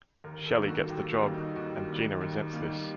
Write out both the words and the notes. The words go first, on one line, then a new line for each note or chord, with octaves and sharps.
Shelley gets the job and Geena resents this.
D#2 A#4
A4
D#3 G3 A#3
F#4
A4
D#2 G4
F#4
D#3 G3 A#3
D#4
D#2 F#4
D#3 G3 A#3
D#2
D#3 G3 A#3